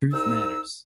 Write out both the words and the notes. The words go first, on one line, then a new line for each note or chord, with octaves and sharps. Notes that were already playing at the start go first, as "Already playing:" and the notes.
Truth matters.
C2 D#4 E6